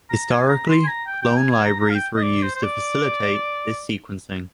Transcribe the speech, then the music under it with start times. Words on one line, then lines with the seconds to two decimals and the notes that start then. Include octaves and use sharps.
Historically, clone libraries were used to facilitate this sequencing.
0.10 A#5
0.30 G#5
0.49 A#5
0.69 C6
0.84 G#5
0.87 A#5
1.07 G5
1.22 G5
1.37 G#5
1.51 G#5
1.65 A#5
1.80 A#5
1.90 F5
1.95 G5
2.16 D#5
2.23 D5
2.43 C5
2.55 C5
2.63 D5